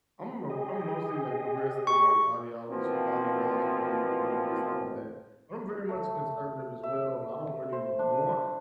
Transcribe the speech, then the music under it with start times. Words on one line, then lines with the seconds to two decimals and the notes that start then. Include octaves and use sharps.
I'm m I'm mostly, like, progressive, like, ideolog ideologically, politically, stuff like that, but I'm very much a conservative as well and I don't really want,
0.50 G4 G#4 D#5
1.87 C#6
2.70 B2 E3 F3 A#3 C4
5.89 A3
6.83 E5
7.73 C5
7.99 D4